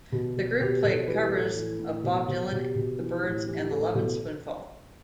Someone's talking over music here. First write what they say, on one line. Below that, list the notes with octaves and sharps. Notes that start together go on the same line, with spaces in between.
The group played covers of Bob Dylan, the Byrds, and the Lovin' Spoonful.
B2
B2
B2 G4 B4
B2 A4
E3 G4 B4
G4
A2 A4
E3
A2
B2
B2
B2 G4
B2
E3
A2
E3 G4
A2 A4
B2 A4